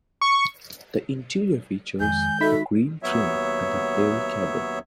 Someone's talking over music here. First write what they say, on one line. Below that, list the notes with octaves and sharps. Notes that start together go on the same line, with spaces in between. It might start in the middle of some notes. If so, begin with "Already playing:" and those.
The interior features a green trim and an airy cabin.
C#6
F2 D#3 G#3 G#5 G6
D#4 F#4 A4 E5 B5 B6
D#2 F#3 B3 C#5 E5